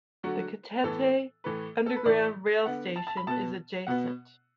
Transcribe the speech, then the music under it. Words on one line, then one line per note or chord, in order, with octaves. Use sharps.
The Catete underground rail station is adjacent.
D3 F#3 A3 F#4
A2 E3 B3 A4
A2 E3 A3 B4
A4
B4
A2 E3 A3 D5
D3 B3 F#5
A5
A5
B5
B2 B3 A5
B2 B3 F#5